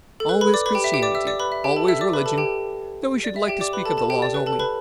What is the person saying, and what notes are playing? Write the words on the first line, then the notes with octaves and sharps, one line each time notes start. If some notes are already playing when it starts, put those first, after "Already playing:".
Always Christianity, always religion, though we should like to speak of the laws only.
A4
B4
B4 B5
D5 D6
B4 B5
G4 G5
E5
G4 G5
D5 D6
E5 E6
D5 D6
B4 B5
E5
G4 G5
A4 A5
E5 E6
D5 D6
B4 B5
A4 A5
G4 G5
D5
E5
G4 G5
D5 D6
B4 B5
A4 A5
A4 A5
G4 G5
D5
B4
A4 A5
B4 B5